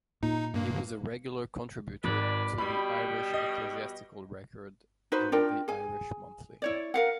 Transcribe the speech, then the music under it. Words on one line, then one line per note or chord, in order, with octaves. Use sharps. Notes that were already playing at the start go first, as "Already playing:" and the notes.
He was a regular contributor the "Irish Ecclesiastical Record" and the "Irish Monthly".
A#2 D#4
G2 A#3
G#1 B4 D5
B2 G3 B5
D#5
D#4 F#4 B4 C5
D4 F4 A#4 G5
G#4 G#5
E4 C#5 D5
A#4 F5 F#5